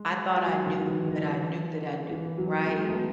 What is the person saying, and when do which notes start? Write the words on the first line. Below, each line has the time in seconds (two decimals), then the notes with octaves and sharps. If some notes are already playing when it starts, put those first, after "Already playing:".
I thought I knew, that I knew, that I knew, right,
Already playing: G#3
0.46 F#3
0.66 D#3
0.87 E3
1.08 E3
1.28 E3
2.11 E3
2.38 F#3
2.65 G#3
2.89 A3
2.93 B3